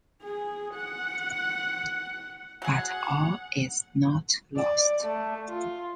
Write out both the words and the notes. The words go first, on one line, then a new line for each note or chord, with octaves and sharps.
But all is not lost.
G#4
F#5
F#3 G#4 F#5
D5
A3
F4